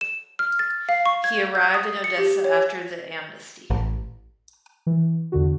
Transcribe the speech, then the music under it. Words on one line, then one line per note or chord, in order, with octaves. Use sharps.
He arrived in Odessa after the amnesty.
E7
F6
A6
F5
C#6
G#6
G6
D#6
C#7
G4
C#5
A1
E3
E2 D3 F#4